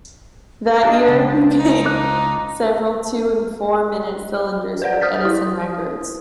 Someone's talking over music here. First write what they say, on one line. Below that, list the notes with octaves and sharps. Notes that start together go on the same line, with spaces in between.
That year he made several two and four-minute cylinders for Edison Records.
C4 D4 D#5 A5
C#2
C5 A5
D#4
F4 D6 F#6
B4 C5 D5 F#5
D#6 F6 G6 A6 B6
E4 D#6